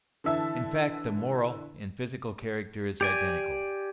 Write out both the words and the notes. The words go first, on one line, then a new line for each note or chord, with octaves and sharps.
In fact, the moral and physical character is identical.
D3 E3 E5 A5
G4 D5 G#5